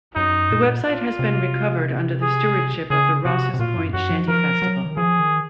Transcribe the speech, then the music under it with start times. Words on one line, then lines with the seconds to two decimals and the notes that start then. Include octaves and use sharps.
The website has been recovered under the stewardship of the Rosses Point Shanty Festival.
0.16 F#2 D#4
0.50 A#2
0.85 F4
1.19 C3
2.22 G#4
2.90 C#3 G#4
3.25 C3 F#4
3.54 C3
3.59 A#2 F4
3.77 F#2
3.93 F#2 F#4
4.11 F3
4.28 F3 A#4
4.62 F#3
4.85 D#3
4.97 F3 G#4
5.19 D#3